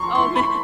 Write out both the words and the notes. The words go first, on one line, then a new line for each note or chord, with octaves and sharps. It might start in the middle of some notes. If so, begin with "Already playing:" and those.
Oh, man.
Already playing: F3 A#5 C6 C#6
E4 C6
B5